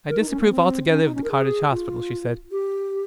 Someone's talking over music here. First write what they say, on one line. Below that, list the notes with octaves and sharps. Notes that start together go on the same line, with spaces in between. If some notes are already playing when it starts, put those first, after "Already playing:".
"I disapprove altogether of the cottage hospital," she said.
A#4
D#4
C#4
A#3
C4
C#4
D#4
C#4
A#4
G#4
F4
G4